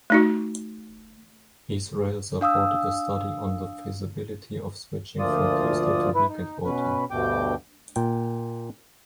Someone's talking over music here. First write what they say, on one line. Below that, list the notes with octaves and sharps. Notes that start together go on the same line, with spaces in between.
Israel supported a study on the feasibility of switching from Tuesday to weekend voting.
A3 D#4 F#4
D4 F5 D#6 E6
D2 A#2 F3 F4 D5 D#6
E4 B4
D#4
B2 C#4 B4
D2 G2 B2 G5 D6
A#2 G5